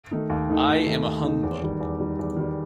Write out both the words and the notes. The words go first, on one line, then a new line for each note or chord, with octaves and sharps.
I am a humbug.
D#3 A3 D#4
D#2
D#3 A3 D#4
D#2
D#3 A3 D#4
D#2
D#3 A3 D#4
E2
D#3 G3
E2
D#3 G3
E2
D#3 G3